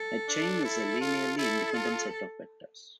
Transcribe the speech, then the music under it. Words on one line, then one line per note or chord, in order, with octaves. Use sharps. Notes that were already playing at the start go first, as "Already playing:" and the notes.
A chain is a linearly independent set of vectors.
Already playing: A4
D4
E4
F4
E4 A4
F4